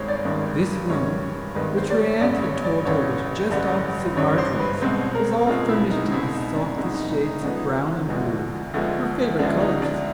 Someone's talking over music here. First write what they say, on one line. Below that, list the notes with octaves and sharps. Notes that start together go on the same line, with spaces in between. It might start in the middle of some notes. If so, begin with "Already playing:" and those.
This room--which her aunt had told her was just opposite Marjorie's--was all furnished in the softest shades of brown and blue, her favourite colours.
Already playing: G#1 G2 D#3 G#3 C5 C#5
D5
G#1 G2 D#3 G#3
G#1 G2 D#3 G#3 C#5
G#1 G2 D#3 G#3 B4
C5
D5
C#5
A1 G2 D3 D5
C#5
D5
A1 G2 D3 C#5
A1 G2 D3
A1 G2 D3 C#5
C5
B4
C2 B2 G#3 C4 C5
A#4
C2 B2 G#3 C4 F4
E4
D#4
C2 B2 G#3 C4 E4
D#4
D4
C2 B2 G#3 C4 D#4
D#4
D#4
D#4
D2 D3 F3 G#3 B3 D#4
D2 D3 F3 G#3 B3
D2 D3 F3 G#3 B3
D2 D3 F3 G#3 B3 D4
D#4
D4